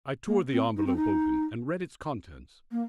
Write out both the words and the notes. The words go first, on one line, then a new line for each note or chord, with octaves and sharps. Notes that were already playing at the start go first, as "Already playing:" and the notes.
I tore the envelope open and read its contents.
A#3
C4
D#4
C4
D#4
A#3